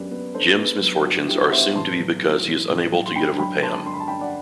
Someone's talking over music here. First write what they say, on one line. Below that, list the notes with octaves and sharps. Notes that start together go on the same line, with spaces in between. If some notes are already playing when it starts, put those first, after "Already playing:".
Jim's misfortunes are assumed to be because he is unable to get over Pam.
Already playing: F#2 F#3 B3 D4 G4 B4
B3
G2 A4 C5
B3
F#3
G2 F#4
G2 E4 G4
F#5
B3 C5 E5
A1 A5 C6
F#3
A2
A1
A1
F#3
C6
G2 G5 B5
F#3 G5 B5
D3 A5 C6
G2 C6
B5
A5
G2 G5 B5
D5 F#5